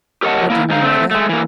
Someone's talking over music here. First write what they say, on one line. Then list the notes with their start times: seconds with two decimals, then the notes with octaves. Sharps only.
"What do you mean by that?"
0.23 G4 A#4 C#5 D#5 F#5 A5
0.50 A#3 E4
0.70 G#2 D#4 F5
0.82 A3 C4
1.11 G#3 A3
1.29 E3 A#3